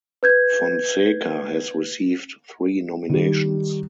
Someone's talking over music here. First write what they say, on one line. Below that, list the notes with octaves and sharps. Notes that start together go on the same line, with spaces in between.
Fonseca has received three nominations.
B4 G6 G#6
D#3 G3